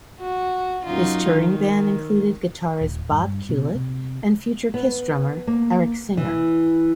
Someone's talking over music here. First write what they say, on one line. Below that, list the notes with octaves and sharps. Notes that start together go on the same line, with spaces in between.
His touring band included guitarist Bob Kulick and future Kiss drummer Eric Singer.
F#4
F#2 D#4 F4
D#3
D#1
G2
B2
C3
B3
A#3
E3